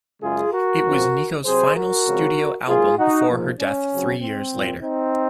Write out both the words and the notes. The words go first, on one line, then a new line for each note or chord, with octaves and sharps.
It was Nico's final studio album before her death three years later.
F#2 C#3 G#3 F4 G#4
F#4 A#4
F2 C#3 F3 C4
C3 F#3 C4 G#4 C5
F#4 A#4
C#3 F3 G#3 C4
G#2 F#3 A#3 F4 G#4
D#4 F#4
G#2 F3 A#3
C#4
C#3 F#3 C4
C4
A#2 F3 A#3
C4 D#4